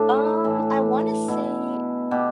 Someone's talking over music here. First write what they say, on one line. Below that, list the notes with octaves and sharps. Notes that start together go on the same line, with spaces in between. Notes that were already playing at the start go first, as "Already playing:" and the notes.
Um, I wanna say
Already playing: A2 D4
E4
A2 E3 E4
B2 E4
B2 G4